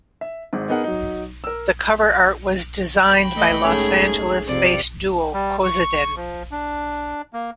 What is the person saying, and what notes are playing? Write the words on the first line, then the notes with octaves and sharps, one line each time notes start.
The cover art was designed by Los Angeles-based duo kozyndan.
E5
G#1 G#2
B3 D#4 G#4 A#4 F#5
F#3 D#4
A#4 E6
G5 B5
E3 A3 D#5
G#2 A3 C#4 G#4
F2 C3 D5
G3
C#6
F3
D4
A#3